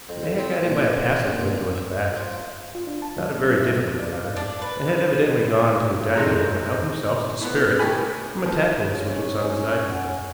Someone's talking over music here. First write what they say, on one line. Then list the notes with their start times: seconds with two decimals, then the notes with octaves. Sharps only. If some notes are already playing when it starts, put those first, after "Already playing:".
They had got in by a passage window at the back--not a very difficult matter--and had evidently gone to the dining room and helped themselves to spirits from a tantalus which was on the sideboard.
0.09 F2
0.24 A2
0.38 C4
0.62 A#2
0.83 F#2
1.10 F3
1.28 A#2
1.75 E5
2.16 F3
2.75 F4
2.87 D4
3.02 A5
3.18 F#3
3.33 C#4
3.45 F#3
3.60 E5
3.72 A3
3.85 F3
3.99 D5
4.13 F5
4.36 D4
4.62 B4
6.15 C3 D#3 G#3 D#4 A4 A#5
7.41 A2 B3
7.79 A2 G4 A#4 G#5 B5
8.46 F3
8.95 C#4 C#5
9.88 F#2 F#5